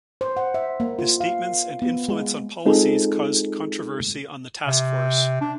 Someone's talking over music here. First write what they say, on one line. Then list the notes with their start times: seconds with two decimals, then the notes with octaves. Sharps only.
His statements and influence on policies caused controversy on the task force.
0.21 C5
0.37 F#5
0.54 E5
0.80 A#3
0.99 F4
1.21 F5
1.82 B3
2.08 G#3
2.65 G#3 C4 D#4 F4 G#4 A4
4.67 C3
5.41 D4